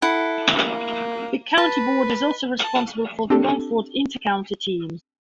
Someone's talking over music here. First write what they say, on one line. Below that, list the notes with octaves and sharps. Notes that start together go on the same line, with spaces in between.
The county board is also responsible for the Longford inter-county teams.
E4 A4 F#5
A#3
B4 A5
A5
C4 D4 G4 A4